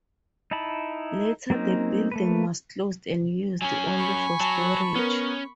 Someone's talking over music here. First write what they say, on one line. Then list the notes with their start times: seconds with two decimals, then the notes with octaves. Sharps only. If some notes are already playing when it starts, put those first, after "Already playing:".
Later the building was closed and used only for storage.
0.51 D#4 E4 A5 B5
1.50 F#3 A#3 C4 C#4 D#4
2.12 A3 A#3 B4
3.62 F#3 C#4 G#5
3.97 B5 C#6
4.41 F#3 A5
4.95 B3 C#4 A#4